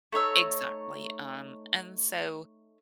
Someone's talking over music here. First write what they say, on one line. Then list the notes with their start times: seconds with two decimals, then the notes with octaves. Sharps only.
exactly, um, and so,
0.12 A3 D#4 C#5 E6